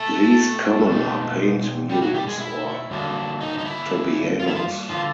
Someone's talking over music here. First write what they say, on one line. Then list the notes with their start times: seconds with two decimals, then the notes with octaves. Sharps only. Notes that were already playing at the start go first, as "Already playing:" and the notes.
Least common are paint mules or tobianos.
Already playing: B2 F#3 A3 A4
0.90 B2 G#3 C4 D#4
1.89 G3 G4
2.02 F#3 F#4
2.14 G3 G4
2.27 G#3 G#4
2.40 E4
2.90 G2 D3 F#3 A#3 D4
3.41 D#4
3.58 D#4
3.65 E4
4.39 F4
4.48 E4
4.55 F3 F4
4.89 D3 F3 F4